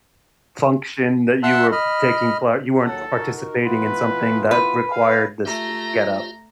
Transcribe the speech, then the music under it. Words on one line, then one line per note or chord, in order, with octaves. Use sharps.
Function that you were taking part, you weren't participating in something that required this getup.
E5 F#5 A5 C6 E6 F#6
D#5 B5 F6
D#2 F#3 A4 F#5
D#4 F#4 A#4
E3 B3 F4 B4
B4
F5
A3 F4 G4 E5 A#5